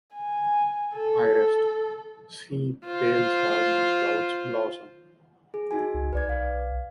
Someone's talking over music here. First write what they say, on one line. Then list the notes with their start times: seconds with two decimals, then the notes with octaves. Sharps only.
I rest: see pale salmon clouds blossom.
0.15 G#5
0.96 A4
2.86 F4 C5
5.54 G#4
5.71 D#4 F#4 G#5
5.94 C#2
6.13 B1 B4 D5 G#6
6.29 F5